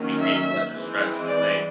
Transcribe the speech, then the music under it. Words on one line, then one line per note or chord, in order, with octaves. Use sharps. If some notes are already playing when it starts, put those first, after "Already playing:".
Became such a stressful thing.
Already playing: D#3 F#3 A#3 C#4
E5
E3 G#3 C4
D5